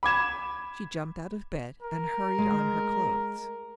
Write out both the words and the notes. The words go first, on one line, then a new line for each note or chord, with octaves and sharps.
She jumped out of bed, and hurried on her clothes.
B5 D6 G#6 E7
A#4
G#3